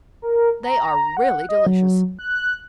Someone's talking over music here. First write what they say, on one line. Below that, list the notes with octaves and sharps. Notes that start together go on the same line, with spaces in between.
They are really delicious.
A#4
A#5
F#5
D#5
F#3
F#6